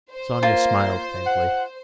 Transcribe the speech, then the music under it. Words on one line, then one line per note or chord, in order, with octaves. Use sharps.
Sonia smiled faintly.
C5
A#3 F4
F#5